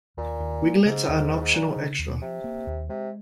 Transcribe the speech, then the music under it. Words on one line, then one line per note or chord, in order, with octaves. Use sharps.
Winglets are an optional extra.
D#2 A#2
D#2
A#3
G#2 C#3
D#2
D#2
G#2
A#2 F3
G#2
C#3
D#2
C3 F3
A#3
D#2
C3 G#3